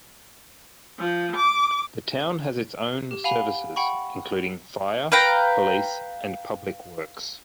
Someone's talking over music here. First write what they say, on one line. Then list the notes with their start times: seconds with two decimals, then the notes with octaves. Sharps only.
The town has its own services, including fire, police and public works.
0.99 F3
1.36 D6
3.11 G4
3.24 F5 F#5 G#5 B5 F7
3.76 F#5 G5 B5 C#6
5.12 B4 F5 G5 A#5